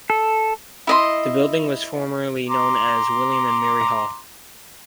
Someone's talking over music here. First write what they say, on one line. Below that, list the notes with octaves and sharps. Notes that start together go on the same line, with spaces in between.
The building was formerly known as William and Mary Hall.
A4
E4 D#5 C6
A#5 C6 D6